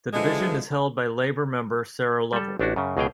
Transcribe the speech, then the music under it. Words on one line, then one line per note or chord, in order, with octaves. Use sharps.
The division is held by Labor member Sarah Lovell.
D3 E3 F3 G#3
G3 A4
A1 A3 D4 E4 F#4
F#2 C#3
C#2 B2 E3 G#4 F5 G5